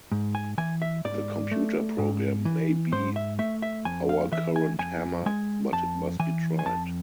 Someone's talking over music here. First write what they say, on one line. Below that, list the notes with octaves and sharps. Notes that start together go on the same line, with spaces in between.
The computer program may be our current hammer, but it must be tried.
G#2
G#5
E3 G#5
E5
G#2 D5
A3
G#2
E3
G#2 C5
E5
A3 E5
E5
F2 G#5
F5
E3 E5
G#5
F2 G#5
G#3 G#5
F2 A5
E3 G#5
G#5
F2 A5